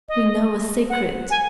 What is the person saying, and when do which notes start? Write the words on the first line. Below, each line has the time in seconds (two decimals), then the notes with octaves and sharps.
"We know a secret!"
0.09 D#5
0.90 F#5
1.30 G#5